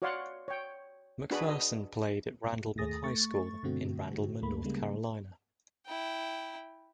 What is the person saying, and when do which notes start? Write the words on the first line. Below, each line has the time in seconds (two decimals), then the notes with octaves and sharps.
McPherson played at Randleman High School in Randleman, North Carolina.
0.02 F#4 C#5 D5 F5 F#5 C6
0.48 C#5 G5
1.31 D4 F#4 G#4 B4 B5
1.48 D#5
2.78 D#2 A3 G#4 D#6 A6 A#6
3.04 A3 C#6 A6
3.63 G2 B2 D3 A3 C4 F#4
4.42 D2 A3 A#3 B5
4.64 C#3 G3 G#3 A#3
5.86 E4 G5